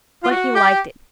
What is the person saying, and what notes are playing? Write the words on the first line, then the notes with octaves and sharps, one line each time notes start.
But he liked it.
F4
F#4
G4